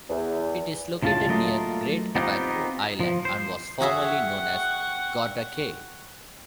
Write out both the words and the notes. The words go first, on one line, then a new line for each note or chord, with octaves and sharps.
It is located near Great Abaco Island and was formerly known as Gorda Cay.
E2
D2 A2 C#3 E3 F4 A5
F#3 A3 A#3 F4 D#5
B3 C4 D#4 F4 G4
F3
C5
F#4 G#4 E5 F#5 G5 C#6